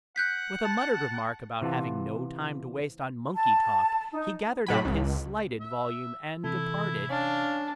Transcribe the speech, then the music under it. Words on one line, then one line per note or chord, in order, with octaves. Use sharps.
With a muttered remark about having no time to waste on monkey-talk, he gathered up his slighted volume and departed.
F#5 F#6 G6 B6
A5
C3 E3 F4 F#5 A5
A5
D#4
A2 F#3 B5
C#2
E5
C3 E3 E4 A4
C#4 D4 F5